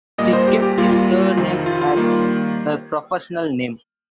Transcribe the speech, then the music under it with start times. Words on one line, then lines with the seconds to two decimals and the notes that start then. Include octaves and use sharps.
She kept his surname as her professional name.
0.18 A#2 G3 A#3 D#5
0.33 C5
0.48 G4
0.62 G4
0.78 A#2 G3 A#3 F4
0.92 F4
1.37 F2 C3 D#3
1.66 F4
1.81 F4
1.97 D#3 G3 A#3